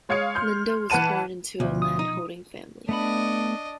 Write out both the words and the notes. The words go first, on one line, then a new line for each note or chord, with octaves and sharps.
Lindo was born into a landholding family.
G#3 C#5 F5 D#6 G#6 C#7
C6 F6 G6
E3 B4 F#5 A5 D#7 E7
D2 B2 F3
D#6
D#4
A3 B3 D4 D#5 B5